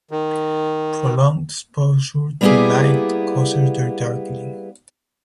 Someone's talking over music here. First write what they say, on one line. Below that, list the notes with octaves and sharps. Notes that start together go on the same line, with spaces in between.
Prolonged exposure to light causes their darkening.
D#3
G3 A#3 B3 E4 G4 G#4